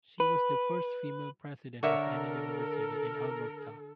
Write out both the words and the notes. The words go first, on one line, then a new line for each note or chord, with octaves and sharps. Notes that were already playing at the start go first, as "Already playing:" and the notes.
She was the first female president of any university in Alberta.
B4
D3 A4 A#4 C#5 E5 C#6